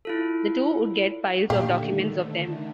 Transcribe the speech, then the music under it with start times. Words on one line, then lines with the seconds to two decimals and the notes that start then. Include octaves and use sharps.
The two would get "piles of documents" of them.
0.05 E4 F4 A4
1.50 A#2 D3 D#3 A3 G4 F5